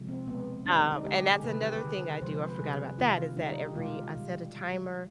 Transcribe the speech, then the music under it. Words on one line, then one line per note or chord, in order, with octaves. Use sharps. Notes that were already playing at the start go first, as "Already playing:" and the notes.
um, and that's another thing I do, I forgot about that, is that every I set a timer
Already playing: C3 F3 G#3
C4
B2 G#3 B3
D3 G3 D4
D#4
D#4
D3 G#3 G4
G#4
G#4
C3 D#3 G3 B4
G4
B4
D3 G3 G#4
C3 F3 G#3 C5
C5
B4
C3 G3 G#4
C3 D#3 G3 F4
D3 G3 D#4
G4
B2 G#3 F4
B2 G3